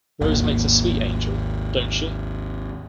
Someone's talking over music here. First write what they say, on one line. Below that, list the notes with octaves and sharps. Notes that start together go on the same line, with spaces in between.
Rose makes a sweet angel, don't she?
G#1 D#2